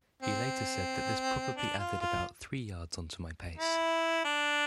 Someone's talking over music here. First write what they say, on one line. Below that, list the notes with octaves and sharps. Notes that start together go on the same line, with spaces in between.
He later said that this probably added about three yards on to my pace.
C4
D4
F4
F4
E4
D4